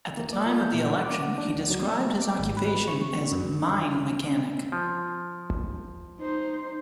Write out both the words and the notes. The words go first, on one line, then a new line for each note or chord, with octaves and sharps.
At the time of the election, he described his occupation as "mine mechanic".
A#3
D5
F4
G6
A#2
F#5
D6
F#5
D4
C#2
F#3
C4
D6
G#1
B4
C#6
F#2
F3
D#4 C5